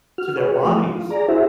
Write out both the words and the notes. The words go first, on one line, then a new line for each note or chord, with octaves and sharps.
to their bodies?
F#4 F6
F#4 G#4 B4 C#5
E3 F3 A3
F4
G#4 D5 A#5
E4 F#4 G#4 C5 E5